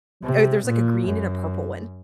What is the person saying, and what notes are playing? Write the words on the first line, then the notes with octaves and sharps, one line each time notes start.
uh, there's like a green and a purple one.
C3
A#2
F#2